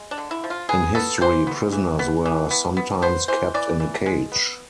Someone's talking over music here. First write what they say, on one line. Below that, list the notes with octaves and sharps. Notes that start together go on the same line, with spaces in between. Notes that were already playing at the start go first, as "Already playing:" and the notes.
In history, prisoners were sometimes kept in a cage.
Already playing: G#3
D4
D3
E4
F3
F4
B3 G#4
B3 A4
E3 C5
B3
E3
B3
E3
B3
B3
B3 C5
E3 C5
E3 D5
E3
G#3
B3